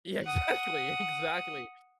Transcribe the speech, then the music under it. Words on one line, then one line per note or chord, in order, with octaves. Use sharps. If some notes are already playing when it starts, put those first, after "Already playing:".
Yeah, exactly. Exactly,
F#5 D#6